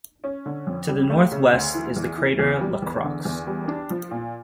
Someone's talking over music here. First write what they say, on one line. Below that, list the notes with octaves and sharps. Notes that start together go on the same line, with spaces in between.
To the northwest is the crater Lacroix.
C#4
D3
F2
G3
A3
C#3
D2
E3
E2
E3
E2
G3
E2
D3
E2
G3
D4
F3
A#2